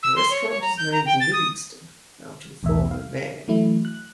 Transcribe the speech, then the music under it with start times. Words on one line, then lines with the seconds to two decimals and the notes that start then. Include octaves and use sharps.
The restaurant is named "Livingston" after the former mayor.
0.03 E6
0.16 C6
0.31 C#5
0.50 C#5
0.62 A#5
0.78 G6
0.92 A#5
1.06 G5
1.20 A6
1.33 D#6
2.63 B1 E2 A2 E5
2.91 F5
3.48 E3 F#3 A3 E4
3.85 F#6